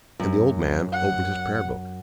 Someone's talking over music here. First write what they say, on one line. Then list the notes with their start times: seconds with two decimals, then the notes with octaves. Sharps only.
And the old man opened his Prayer-Book.
0.20 F#2
0.93 F#5